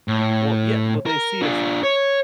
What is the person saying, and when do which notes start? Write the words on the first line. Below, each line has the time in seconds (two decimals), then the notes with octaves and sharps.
Well, yeah, well, they see us
0.08 A2
1.06 A#4
1.42 D4 F4
1.83 C#5